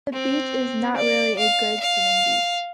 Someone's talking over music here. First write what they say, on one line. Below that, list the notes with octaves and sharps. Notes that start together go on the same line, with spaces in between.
The beach is not really a good swimming beach.
C4
D5
F5
F5